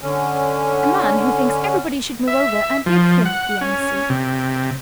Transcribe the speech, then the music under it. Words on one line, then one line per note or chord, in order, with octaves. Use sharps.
A man who thinks everybody should move over and give him the end seat.
D3 C#4
E5
F3
F#5
C#4
C3